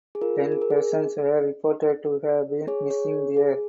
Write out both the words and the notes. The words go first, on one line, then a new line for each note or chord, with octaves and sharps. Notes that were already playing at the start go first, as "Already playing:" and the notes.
Ten persons were reported to have been missing there.
G#4
F4 A#4
G#4
A#4
G#4
G#4 C#5
G#4 C#5
G#4